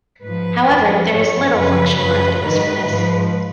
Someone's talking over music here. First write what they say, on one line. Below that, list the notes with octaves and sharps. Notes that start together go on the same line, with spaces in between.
However, there is little functional evidence for this.
G#2 F3 B4
F2 F3
G#2 F3 C#5
F#2 C#3 F3 B4
F#2 F3 B4
G#2 D#3 B4
G#2 F3